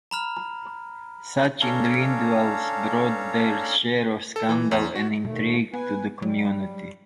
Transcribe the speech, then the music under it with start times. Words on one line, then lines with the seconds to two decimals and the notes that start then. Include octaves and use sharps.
Such individuals brought their share of scandal and intrigue to the community.
0.11 A#5 B5 F6
1.61 C#4 D4 A4 C#5 F5 A#5
4.36 A4
4.49 E3
4.71 E2
4.95 F#4
5.25 D#2 B2 A3
5.73 B3 B4 G#5
6.22 F#3 G3